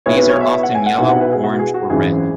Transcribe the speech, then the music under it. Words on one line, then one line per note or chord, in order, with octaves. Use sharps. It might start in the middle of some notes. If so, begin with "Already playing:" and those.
These are often yellow, orange or red.
B1 B2 B3 E4 C#5
B4
C#5
E5
E5
F#5
G#5
F#5
B1 B2 B3 E4 F#5
F#5
B4
G#4
F#4
G#4
F#4
G#1 F#2 E3 G#4